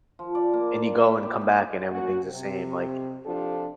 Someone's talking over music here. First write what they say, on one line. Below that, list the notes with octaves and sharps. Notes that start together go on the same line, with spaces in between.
and you go and come back and everything's the same, like
F3
D5
A#3
D5
G#5
E4
G4
G#4
F#3 A#3 C#4 F#4
C3
C3 F3 D4 F4 G4 A4